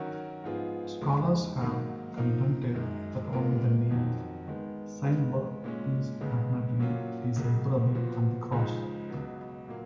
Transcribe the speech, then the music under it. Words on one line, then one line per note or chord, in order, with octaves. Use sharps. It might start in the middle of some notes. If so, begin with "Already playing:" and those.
Scholars have contended that only the name "Cyneburh" is definitely decipherable on the cross.
Already playing: D#3 F#3 C#4 F#4 A#4
G#2 F3 B3 F4 G#4
D#2 C#3 G#3
G#2 D#3 F#3 A#3
F3 A#3 D#4 A#4
F#2 D#3 G#3
A#2 G#3 B3 F4 A#4
F2 D#3 F#3
D#3 G#3 B3
C#3 G#3 B3
A#2 G#3 C#4
C#2 C#3 G#3 B3
A#2 F#3 A#3 C#4 F4
C#2 C#3 F#3 A#3
A#2 F3 B3 F#4
C#2 C#3 F3 G#3 D#4
C#2 B2 F#3
A#2 F#3 A#3